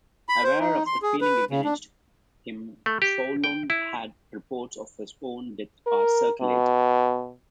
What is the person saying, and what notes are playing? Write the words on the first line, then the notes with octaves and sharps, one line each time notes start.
Aware of the feeling against him Foullon had reports of his own death circulated.
B5
C5
D#4
C6
G#4
B4
C#3
D4
A3
G4
G5
E4
A#4
B2